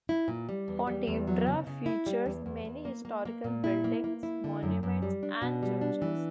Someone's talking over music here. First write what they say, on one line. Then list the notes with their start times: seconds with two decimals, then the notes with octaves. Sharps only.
Pontevedra features many historical buildings, monuments, and churches.
0.09 E4
0.28 A#2
0.49 G3
0.68 E2
0.87 G3
1.07 E2
1.27 F#3
1.47 C#3
1.67 C#3
1.86 E4
2.07 G3
2.26 E2
2.46 E2
2.65 E2
2.85 A#3
3.05 A#3
3.25 A#3
3.44 A#2
3.64 E4
3.84 A#3
4.04 A#3
4.23 E4
4.44 D3
4.63 F#2
4.83 F#2
5.02 G3
5.23 D4
5.42 B2
5.63 G3
5.81 D4
6.02 E3